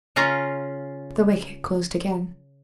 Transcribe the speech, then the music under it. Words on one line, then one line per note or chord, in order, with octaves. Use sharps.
The wicket closed again.
C#3 C#4 F4 A#5